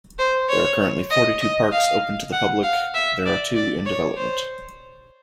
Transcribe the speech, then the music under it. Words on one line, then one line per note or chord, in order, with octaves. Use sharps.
There are currently forty-two parks open to the public, there are two in development.
C5
C#5
D#5
D#5
F5
F#5
F5
E5
D5
D5
C#5
C5